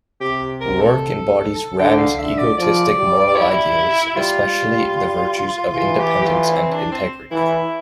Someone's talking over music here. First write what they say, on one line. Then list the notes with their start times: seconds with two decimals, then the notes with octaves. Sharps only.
Roark embodies Rand's egoistic moral ideals, especially the virtues of independence and integrity.
0.21 C3 G4
0.61 A#4
0.80 A4
1.79 D3 G5
1.98 F5
2.19 D3 E5
2.38 D5
2.58 F3 D5
2.97 G3
3.37 E4
4.16 G3 F4
4.55 G3
5.73 E3 F4
5.99 G4
6.22 G4
6.26 F4
6.52 C4
6.72 D4
6.92 C4
7.31 E3 E4